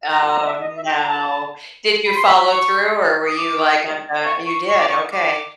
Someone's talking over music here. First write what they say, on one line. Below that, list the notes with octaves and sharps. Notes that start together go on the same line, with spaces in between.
Oh no. Did you follow through or were you like, "I'm, uh" oh, you did? Okay.
A#5
A#5
D#5
E5
D#5
E5
G5
A5
A#5
A5
B5
C6
B5
C#6
D#6
D6
C#6
C#6
C#6
D6
C#6
D6